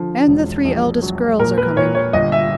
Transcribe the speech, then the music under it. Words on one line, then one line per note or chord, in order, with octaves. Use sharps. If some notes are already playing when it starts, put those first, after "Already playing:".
"And the three eldest girls are coming."
Already playing: D3 F3
E1
A#1
F#3
A#2 A#4
B4
A#2 C#5
C#5
G1 D#5
E5